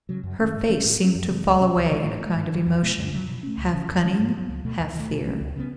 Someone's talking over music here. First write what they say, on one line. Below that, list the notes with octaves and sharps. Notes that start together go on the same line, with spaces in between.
Her face seemed to fall away in a kind of emotion, half cunning, half fear.
C#3 F#3
F#2
D#3 G#3 C#4
G#2
E3 G#3 C#4
A2
F#3 C#4
F#2
C#3 E3 B3
C#2
B2 F#3 C#4
C#2
C#3 E3 G#3
A2
B3
G#3
G#2
D#3 F#3
E2
B2 G#3 B3
F#2
C#3 F#3
B2
A3 C#4
C#2
C#3 E3
E2
D#3 G#3 C#4
G#2
F#3 B3
C#2
B2 A3
D#2
D#3 A3
B2
A3 C#4
C#2
C#3 E3 B3